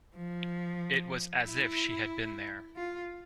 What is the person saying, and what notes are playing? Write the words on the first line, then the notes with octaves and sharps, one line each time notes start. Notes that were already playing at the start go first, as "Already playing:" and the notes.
It was as if she had been there.
F3
E4
F4